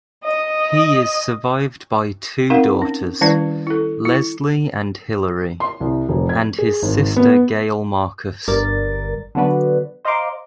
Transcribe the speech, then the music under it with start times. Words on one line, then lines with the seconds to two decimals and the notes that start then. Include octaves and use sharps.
He is survived by two daughters, Leslie and Hillary, and his sister Gail Marcus.
0.23 D#5
2.50 C4 D#4 A#4 F5 F#5
2.82 C#4
3.21 D#3 G3 C#4 E4 B4 D5
3.67 E4 A4
4.05 E4
5.60 C6
5.80 C2
6.09 F1
6.29 G#6
6.58 G#4
6.82 G#1
7.16 B3
8.48 G1 G2 G3 A#4 D5 A6
9.35 D3 F#3 B3 D4 F#4 B4
10.05 C5 D#5 F5 A#5 C6 D6